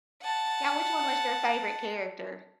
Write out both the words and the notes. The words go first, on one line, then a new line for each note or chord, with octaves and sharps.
Now which one was your favorite character?
F#5 A5